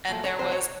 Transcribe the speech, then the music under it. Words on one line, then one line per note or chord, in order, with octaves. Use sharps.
and there was
A#2 F3 A3
C#5
C3 F3 G#3 C5
C#5